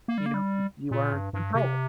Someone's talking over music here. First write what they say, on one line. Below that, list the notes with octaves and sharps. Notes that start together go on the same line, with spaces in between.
You know that you are in control.
A#3
G3
A#3
G3
A#2
G2
G2
C3